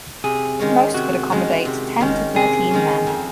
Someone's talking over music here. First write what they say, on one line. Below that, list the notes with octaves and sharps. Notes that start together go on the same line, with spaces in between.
Most could accommodate ten to thirteen men.
C3 G#4
D#3 G#3 C#4
C3 F#4
D#3 G#3 C#4
C3
D#3 G#3 C#4
C3 G#4
D#3 G#3 C#4
F2